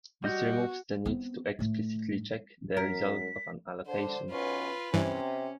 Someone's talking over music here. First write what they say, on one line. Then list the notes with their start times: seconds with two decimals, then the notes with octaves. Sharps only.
This removes the need to explicitly check the result of an allocation.
0.24 G3 F#4 D#5 G6
1.06 B3 C4
1.59 A2 A3
2.77 F#2 A#4 B6
3.86 D3 C5
4.30 B1 C#4 F4 B4
4.94 G2 C3 E3 C#4